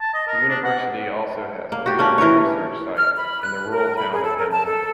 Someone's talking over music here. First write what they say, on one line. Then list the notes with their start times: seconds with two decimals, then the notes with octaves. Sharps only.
The university also has a regional research site in the rural town of Hamilton.
0.01 A5
0.14 D#5
0.27 A#4
0.49 D4
0.64 F#5
1.72 A#3
1.86 F#4 G4
1.99 A#3 C#4 D4
2.18 E3 A#4 B4 C#5
2.96 F6
3.15 B5
3.42 F#6
3.69 A#4
3.96 B5
4.11 G#4
4.23 A4
4.37 A#4
4.51 A5
4.65 A4